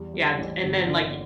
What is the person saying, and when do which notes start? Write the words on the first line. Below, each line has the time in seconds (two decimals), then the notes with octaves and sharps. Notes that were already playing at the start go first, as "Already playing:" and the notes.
Yeah d and then, like
Already playing: E2 G3
0.14 G3
0.38 A1
0.63 G1
0.87 D3